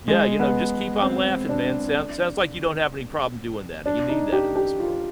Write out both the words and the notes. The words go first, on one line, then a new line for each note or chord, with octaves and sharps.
yeah, you know, just keep on laughing, man. Sounds sounds, like, you don't have any problem doing that, and you need that in this world.
G#3
B3
C4
D4
D4
D#4
G4
G4
F4